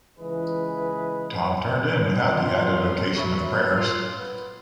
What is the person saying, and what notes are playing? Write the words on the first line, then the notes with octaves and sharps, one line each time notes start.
Tom turned in without the added vocation of prayers.
C#2 E3 G#4 B4 D#5
F4 D5
A#4 C#5
F#3 E5 B5 C#6
E6 A6
F4
B3